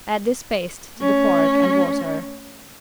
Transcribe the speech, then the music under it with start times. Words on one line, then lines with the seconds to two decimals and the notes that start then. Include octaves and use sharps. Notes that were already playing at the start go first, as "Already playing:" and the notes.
Add this paste to the pork and water.
0.97 A3 C#4